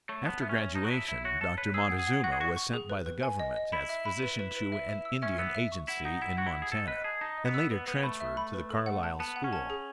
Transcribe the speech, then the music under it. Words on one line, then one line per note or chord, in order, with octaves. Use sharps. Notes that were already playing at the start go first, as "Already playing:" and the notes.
After graduation Dr. Montezuma was sent by the Government as physician to an Indian agency in Montana, and later transferred to the Carlisle school.
A3 C#5
B3 A5
B3 E5
C#4
C#5
D#4 A5
F#4
E4 A5
E4 E5
F#4 C#5
A4 A5
B4 C#5
G#4 E6
F#5
G#4
F#5
F#4 F#5
G#4
F#4 C#6
C#6
G#4
B4
B4
G#5
D#5
D#5
E4 B5
E5
B5
B4
B4
B4
E5
E5
E6
C#4 E5
B3 E6
E5
C#6
E4 F#5
D#4 F#5
E4 F#5
F#4 F#5
E4
F#5
G#4
A4 E6
B4 D#5
G#4 A5
D#4 A5
D#5
B3
E6
B3 B4
B3 B4
A3 B5
E5
B5
B4
A4
F#5
A5
B3 A5
F#5
C#4
A5
G#4